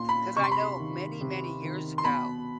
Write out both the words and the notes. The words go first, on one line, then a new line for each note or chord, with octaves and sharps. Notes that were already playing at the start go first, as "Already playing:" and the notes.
'Cause I know many, many years ago,
Already playing: A#2 C6
B5
C3 C#6
C6
B5
C6
D#3
C3
D#3
C6
B2 B5